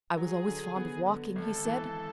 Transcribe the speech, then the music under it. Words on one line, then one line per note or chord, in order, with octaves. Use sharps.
"I was always fond of walking," he said.
F#3 G#4
D3
B3
D3
G#1 A4
E3